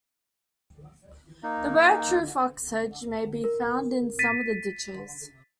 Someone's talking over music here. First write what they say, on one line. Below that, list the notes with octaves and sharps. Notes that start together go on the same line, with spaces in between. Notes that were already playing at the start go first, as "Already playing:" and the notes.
The rare true fox sedge may be found in some of the ditches.
A#3 D#4
A#4
A6 B6 D#7